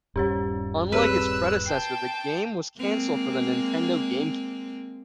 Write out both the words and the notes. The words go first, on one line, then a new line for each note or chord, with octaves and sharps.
Unlike its predecessor, the game was cancelled for the Nintendo GameCube.
D#1 G2 C#4 G4 C5
C4 G4 G#4 B4 E6 F#6
G5 A5 C7
G#3 A#3 C4